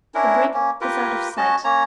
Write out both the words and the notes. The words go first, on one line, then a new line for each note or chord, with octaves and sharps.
The brig was out of sight.
C#4 D4 E4 A#4
A#3 C#4
F4 G4 A#4 B4
C#4 F#4 D#5 A5
A#3 C#4 C#5 A#5